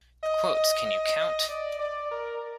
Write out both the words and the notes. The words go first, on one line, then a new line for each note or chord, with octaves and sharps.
The quotes, can you count?
D#5
D#5
D#5
D#5
D5
D5
A#4